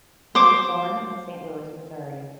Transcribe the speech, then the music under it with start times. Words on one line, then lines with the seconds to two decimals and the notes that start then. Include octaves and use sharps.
He was born in Saint Louis, Missouri.
0.35 C5 D6